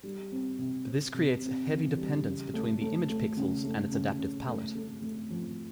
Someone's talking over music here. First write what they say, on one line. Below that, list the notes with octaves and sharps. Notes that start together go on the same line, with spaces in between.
But this creates a heavy dependence between the image pixels and its adaptive palette.
G3
C4
C3
C4
C3
C4
E3
G3
C#3
A3
A3
A3
C#3
A3
C#3
C#3
A3
A3
A3
F3